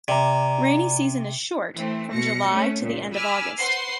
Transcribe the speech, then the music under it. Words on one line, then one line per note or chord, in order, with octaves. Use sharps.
Rainy season is short, from July to the end of August.
C3 D5 A#5
E3 A3 C4
B2 A#6 C#7
A3 C#4
C#2 A#2
G#5 B5 D6 E6 F6
B4 C5 F#5 C6 C7